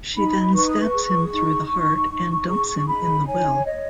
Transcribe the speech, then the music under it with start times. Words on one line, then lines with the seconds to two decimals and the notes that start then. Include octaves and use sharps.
She then stabs him through the heart and dumps him in the well.
0.15 D#4 B5
0.54 B4 C#6
0.68 D#6
0.82 C#6
0.93 G#4
1.32 D#4
1.71 D#4
2.10 D#4
2.48 G#4 C#6
2.87 D#4 B5
3.26 C#5 G#5
3.65 C#5 D#5